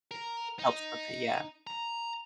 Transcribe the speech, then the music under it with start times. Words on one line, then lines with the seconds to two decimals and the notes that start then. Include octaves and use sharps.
Helps with it, yeah.
0.11 A#4
0.59 D#4
1.67 A#5